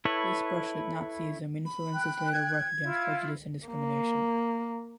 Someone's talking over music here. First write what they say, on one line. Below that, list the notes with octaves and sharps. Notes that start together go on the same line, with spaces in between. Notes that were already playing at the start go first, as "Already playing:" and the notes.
This brush with Nazism influenced his later work against prejudice and discrimination.
E4 A4 B4 C#5
B5
G5 F#6
G#6
E4 F4
A#3